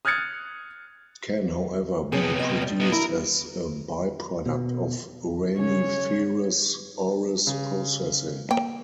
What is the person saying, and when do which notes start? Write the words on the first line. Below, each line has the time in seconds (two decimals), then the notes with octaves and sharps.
It can however be produced as a by-product of uraniferous ores processing.
0.05 D#6 F6 F#6 G#6 A6 C#7
2.12 C3 B3 G#4 C#5 A5
2.39 D#5
2.62 G3
2.80 B3 D#4
2.92 E4 A#4
4.46 B2
5.59 C#3 C#4 C#5
7.47 C#3
8.51 A#3 G5